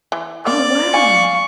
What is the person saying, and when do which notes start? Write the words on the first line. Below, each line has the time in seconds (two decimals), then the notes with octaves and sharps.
Oh, wow.
0.12 E3
0.47 A#3 A#4 D5
0.94 F5 G#5 C#6